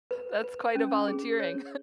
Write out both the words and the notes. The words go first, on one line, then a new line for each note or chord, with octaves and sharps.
that's quite a volunteering.
B4
B4
C#4
G#4
C#5